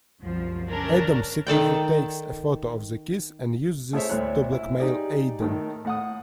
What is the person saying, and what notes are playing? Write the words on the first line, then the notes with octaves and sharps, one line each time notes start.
Adam secretly takes a photo of the kiss, and uses this to blackmail Aidan.
C2 F#2 F3
C#3 C#4 D4 A#4
D#3 A4 D5 G5
A3 E4 G#4 C5 C#5 E5
D2 A2 E4 C5 C#5 F#6
E4
D#4 G4 G#4 D5
A2 D#3 A3
A2 F#5 D#6